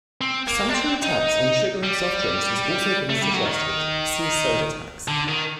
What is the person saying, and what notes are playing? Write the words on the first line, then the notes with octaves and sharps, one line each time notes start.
Sumptuary tax on sugar and soft drinks has also been suggested; see soda tax.
C4
A#3
D4
C4
D#4
G3
A3
G3
F#3
D#3
D3
D#3